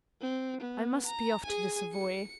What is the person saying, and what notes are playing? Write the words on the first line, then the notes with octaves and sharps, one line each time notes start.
"I must be off to the Savoy."
C4
B3
A#5
G#4 G#5
C#7